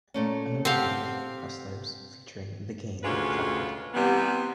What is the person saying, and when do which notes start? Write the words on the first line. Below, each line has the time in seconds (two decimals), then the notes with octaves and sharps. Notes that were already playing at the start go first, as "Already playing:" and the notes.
Another video, Hustlers, featuring The Game, followed.
0.14 A#2 A3 C#4
0.65 C4 G4 F5 F#5 A5
3.03 D2 G#3 C#4 F4 B4 C#5
3.94 C3 E3 G3 B3